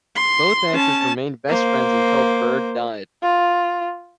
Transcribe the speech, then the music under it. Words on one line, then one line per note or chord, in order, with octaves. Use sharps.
Both actors remained best friends until Berde died.
C6
C#4 A5
A#3 C5
F4